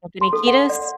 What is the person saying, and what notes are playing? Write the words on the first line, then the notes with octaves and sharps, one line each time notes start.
Anthony Kiedis?
C6
A4
F#5
D5